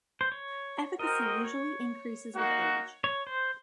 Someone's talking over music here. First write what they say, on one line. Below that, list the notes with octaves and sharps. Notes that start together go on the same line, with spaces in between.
Efficacy usually increases with age.
C5
C#5
C4 F#4 A#4 D#5
D#5
C#5
A#3 D#4 F#4
C#5
C5